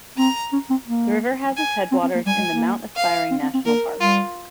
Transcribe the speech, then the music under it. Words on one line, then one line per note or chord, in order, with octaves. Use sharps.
The river has its headwaters in the Mount Aspiring National Park.
C4 A#5
C#4
C4
A#3
G#5
C4
C4
A#3
G3 G#5
G#3
A#3
F5
C4
C4
C4
A#3 A#4
G3 F4